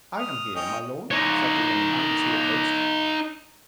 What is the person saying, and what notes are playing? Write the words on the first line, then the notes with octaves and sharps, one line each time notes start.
"I am here, my lord," said the young man, as he approached.
D#6 F6
C#4 D#5 G5
D#4 C#5